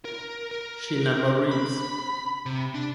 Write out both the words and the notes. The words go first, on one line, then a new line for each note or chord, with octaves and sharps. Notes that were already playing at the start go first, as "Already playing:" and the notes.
She never reads.
A#4
A#4
B5
C3
D4